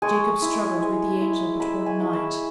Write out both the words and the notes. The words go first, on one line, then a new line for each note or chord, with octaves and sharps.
Jacob struggled with the angel but one night.
G#3 G#5 C#6
E4
G#3
E4
G#3 B5 E6
G#5 C#6
E4
B5 E6